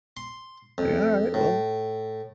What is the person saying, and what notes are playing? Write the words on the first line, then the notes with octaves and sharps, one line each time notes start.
like, "Alright, well"
C6
F2
A2